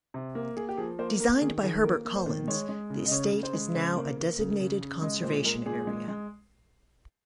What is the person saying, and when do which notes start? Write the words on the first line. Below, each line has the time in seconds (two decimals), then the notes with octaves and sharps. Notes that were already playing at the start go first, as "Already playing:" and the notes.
Designed by Herbert Collins, the estate is now a designated conservation area.
0.14 C3
0.35 A#3
0.57 A#3 G#4
0.69 G4
0.78 F3 G#4
0.99 A#3 C5
1.20 A#3 A#4
1.41 D#3 G#4
1.63 D#3 G#4
1.84 A#3 A#4
2.05 A#3
2.16 C5
2.26 D#3
2.48 G#3 C#5
2.69 G#3
2.90 C#3
3.06 D#5
3.11 C#3 C#5
3.32 C#3
3.43 C5
3.53 G#3
3.75 C#3 C5
3.96 A#3
4.18 A#3
4.39 C#3
4.60 C#3
4.81 C#3
5.02 G#3 D#5
5.23 A#2 C5
5.45 G#3 A#4
5.66 A#2 G#4
5.87 G#3
6.08 G#3